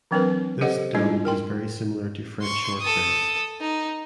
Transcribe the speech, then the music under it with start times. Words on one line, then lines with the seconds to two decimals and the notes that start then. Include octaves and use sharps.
This dough is very similar to French shortbread.
0.11 E3 F#3 C4 D4 A#4 B4
0.61 G4 A4 C5 C#5 D#5 F#5
0.94 G3 G#3 D4 E4 F4 D#5
1.25 A#4 G5 C6
2.41 C6 C#6
2.80 A4 D#6
3.61 D#4